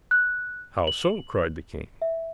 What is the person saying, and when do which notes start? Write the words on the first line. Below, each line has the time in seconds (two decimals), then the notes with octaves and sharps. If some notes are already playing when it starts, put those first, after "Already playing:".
"How so?" cried the king.
0.11 F#6
0.87 F#7
2.02 E5